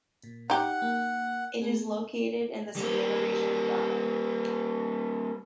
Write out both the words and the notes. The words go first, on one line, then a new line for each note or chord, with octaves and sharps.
It is located in the Savannah region of Ghana.
A#2
D#4 G4 F#5
A#3
A3 B3 G#4
G3 A#3